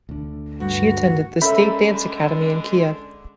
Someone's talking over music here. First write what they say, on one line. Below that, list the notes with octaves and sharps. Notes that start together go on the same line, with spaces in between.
She attended the State Dance Academy in Kiev.
D2 D3
G2 F#4
D3 G#3 C#4 A4 A#4 E5 B5 G6